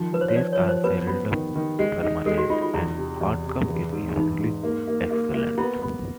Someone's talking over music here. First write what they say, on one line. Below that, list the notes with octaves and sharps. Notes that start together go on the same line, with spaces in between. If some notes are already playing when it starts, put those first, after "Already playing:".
These are seldom permanent, and outcome is usually excellent.
Already playing: D#3 F3
F3 B4
C5
C#5
F3 D5
C#5
F3
C5
B3 B4
B3
D#3
D#3
G#3
D#4
G#3 A4
F#4
D#4 F4
F4
E2 E4
C3
E2
C3
E3
G#2
E3 D#4
G#2
A#3
A#3
A#3
A#3
B3 E4
B3